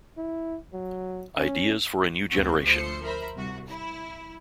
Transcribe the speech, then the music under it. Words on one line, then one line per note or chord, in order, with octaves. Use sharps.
Ideas for a New Generation.
E4
F#3
C#4
D2 C4 D4 F#4
D2 F3 A3 C5 C6 C#7
A#4 C5 E5 B5
C2 F#4
E4